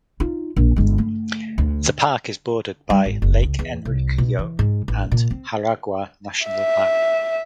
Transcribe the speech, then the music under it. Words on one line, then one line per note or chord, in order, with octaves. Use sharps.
The park is bordered by Lake Enriquillo and Jaragua National Park.
D#4 F4
A#1
G1 G#3
A3
D2
G3
G#1
F#1
C#2
E2
C2
B2
E3
G#2
A1
A#2
C4
E5